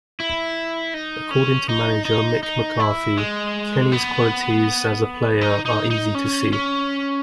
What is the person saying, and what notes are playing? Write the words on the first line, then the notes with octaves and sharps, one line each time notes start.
According to manager Mick McCarthy: Kenny's qualities as a player are easy to see.
E4
D#4
C#4
D#4
D#4
D#4
E4
G#3
B3
D#4
D#4
D#4
C#4
C#4